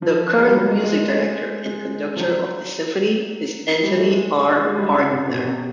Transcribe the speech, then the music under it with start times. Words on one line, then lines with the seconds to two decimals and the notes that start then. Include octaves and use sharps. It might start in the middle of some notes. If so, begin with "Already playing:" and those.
The current Music Director and Conductor of the symphony is Anthony R. Parnther.
0.02 F3
0.38 G#3
0.47 G3
0.57 F#3
0.71 G#3
0.84 G#3
0.98 G#3
1.10 A3
1.21 G#3
1.66 G#3
2.17 F3
2.20 F#3
3.83 G3
3.97 A3
4.11 G#3
4.38 G#3
4.51 G#3
4.65 G#3
4.78 G3
4.93 C#3
5.11 C3
5.28 B2
5.39 B2
5.47 C3